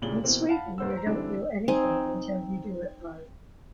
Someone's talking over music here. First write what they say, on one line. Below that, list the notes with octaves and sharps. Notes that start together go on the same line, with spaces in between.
In Sweden, you don't do anything until you do it right.
C2 A#2 C#3 D5 F#7 G7
B2 E3 A#3 C4
F5 F#5 A5 B5
G1 A#3 C5 F#5 E6
C5 A#5
D3 E3 G3 C4 D4
C4 D#4 G#5